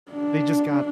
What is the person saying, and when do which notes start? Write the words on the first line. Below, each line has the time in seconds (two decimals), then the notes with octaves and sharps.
They just got
0.12 D4